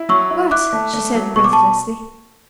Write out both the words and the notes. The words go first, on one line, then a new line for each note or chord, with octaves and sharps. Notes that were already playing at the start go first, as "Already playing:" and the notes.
"What?" she said breathlessly.
Already playing: E4
F#3 C#6 E6
E4
E4 D6 F#6
A3
A3
F#3
B2 C#6
D6
A5 C#6